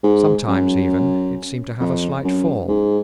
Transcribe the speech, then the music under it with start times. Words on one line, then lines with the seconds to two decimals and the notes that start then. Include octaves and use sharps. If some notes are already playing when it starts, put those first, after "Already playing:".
Sometimes, even, it seemed to have a slight fall.
0.04 G#2
0.48 F#2
1.81 F2
2.24 F#2
2.68 G#2